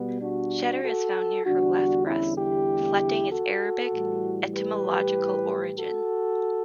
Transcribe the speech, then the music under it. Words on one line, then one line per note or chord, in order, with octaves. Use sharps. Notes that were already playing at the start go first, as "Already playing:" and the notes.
Schedar is found near her left breast, reflecting its Arabic etymological origin.
Already playing: B2 G3 B3
D4 F#4
F#4 A4
E2 D3 G3 D4 F#4
C#4 E4
E4 G4
F#4 A4
A2 E3 G3
G4 B4
F#4 A4